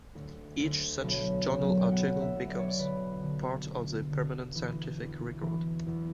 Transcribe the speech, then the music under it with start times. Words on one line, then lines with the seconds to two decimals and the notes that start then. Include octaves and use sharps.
Each such journal article becomes part of the permanent scientific record.
0.15 D2
0.60 D2
1.04 B1
1.47 F#3
1.80 G5
1.91 B1 F#5
2.20 E5
2.35 B1
2.49 D5
2.59 C#5
2.68 D5
2.78 D3 B4
3.24 D3
3.66 D3
4.11 D3
4.55 E3
4.98 E2
5.42 E3
5.86 E2